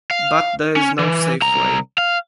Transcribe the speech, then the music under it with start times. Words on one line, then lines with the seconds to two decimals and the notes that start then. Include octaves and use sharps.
But there is no safe way.
0.11 F5
0.76 C#4
0.99 E3
1.42 C2 A#5
1.98 F5